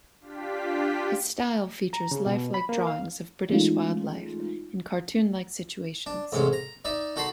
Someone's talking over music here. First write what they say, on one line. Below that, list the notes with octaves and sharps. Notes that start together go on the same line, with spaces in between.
His style features lifelike drawings of British wildlife, in cartoon-like situations.
D4 F4 G4 B6
A#5
C#3
B2
B5
A#3
F5
E3 G#3 A3 C#4 D#4 F4
D4
A1 G#2 C3 C#4
A#5
D#4 D5 E5
D#4 F#4 A4 B5 C6